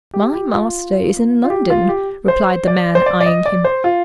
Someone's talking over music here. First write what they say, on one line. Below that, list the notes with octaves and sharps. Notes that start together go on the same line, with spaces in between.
"My master is in London," replied the man, eyeing him.
G4
G4
F4
F4
G4
F4
G4
C5
D5
C5
D5
D5
D#5
D5
C5
F4